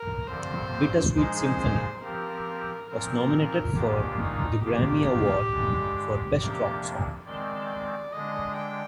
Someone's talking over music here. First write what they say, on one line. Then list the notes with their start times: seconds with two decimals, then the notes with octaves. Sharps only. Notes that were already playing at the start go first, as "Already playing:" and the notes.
"Bitter Sweet Symphony" was nominated for the Grammy Award for Best Rock Song.
Already playing: A#4
0.27 G2 D3 F3 C4 C5
1.15 A#2 F3 G#3 D#4 G#4 C5
2.02 F3 C4 G4 A#4
2.90 A#2 F3 C4 A#4
3.76 G#2 D#3 A#3 D4 F4 G4
4.20 D#4
4.63 D#3 A#3 D4 F4 G4
5.51 G2 D3 G#3 D4
6.38 F2 C3 F3 A#3 D4 G4
7.25 D#3 G#3 C4 D5
8.13 D3 G#3 D4 D#5
8.56 G5